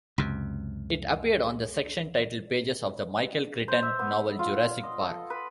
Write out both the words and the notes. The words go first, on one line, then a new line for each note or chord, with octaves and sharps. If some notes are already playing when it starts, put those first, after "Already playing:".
It appeared on the section title pages of the Michael Crichton novel "Jurassic Park".
C#2 F#2 C3
C5
E5
B3
F4
D#5
A4
B4